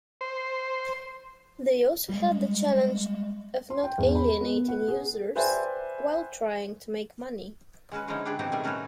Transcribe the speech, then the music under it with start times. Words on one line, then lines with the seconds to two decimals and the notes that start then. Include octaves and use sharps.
They also had the challenge of not alienating users while trying to make money.
0.21 C5
2.09 G3 G#3
3.70 C6
3.84 G5
3.98 E2
4.15 B5
4.41 B3
4.68 F#5
4.88 G#4
5.36 B4 C5 D5 E5 G5 G#5
7.92 G#3 C#4 F#4 B4
8.08 D3 F3 G#3 C#4 D#4 E4
8.25 D4 G4 G#4 B4
8.39 B2 F3 C4 D#4 F#4 G4
8.52 A2 D#3 G3 A3 G#5
8.64 A3 C#4 D#4 F#4 B4 C#5